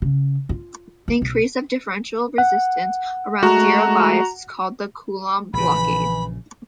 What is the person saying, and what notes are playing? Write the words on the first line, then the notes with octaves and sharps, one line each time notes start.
The increase of the differential resistance around zero bias is called the Coulomb blockade.
C#3
F4
D#4
B1
F#5
G#3 A3 F#4 A#5
A#1 C#3 E3 B5